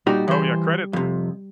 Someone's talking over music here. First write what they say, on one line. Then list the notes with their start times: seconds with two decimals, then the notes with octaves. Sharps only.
Oh, yeah credit
0.07 A#2 G3 D#4 F#4
0.28 E3 C5
0.93 F2 C3